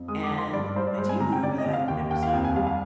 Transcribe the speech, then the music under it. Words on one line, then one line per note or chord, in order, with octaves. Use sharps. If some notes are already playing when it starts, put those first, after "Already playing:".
and uh, do you remember that episode?
Already playing: F2
G#3 D#6
D6
F3
C6
G2 D5
D5
G2 C5
D5
G#3 C5
G#5
C3 A#5
G5
C3 D5
D#5
C3
F5
D#2 G5
D#2 G5
F5
F2 G5
G#5
G3 F5
F5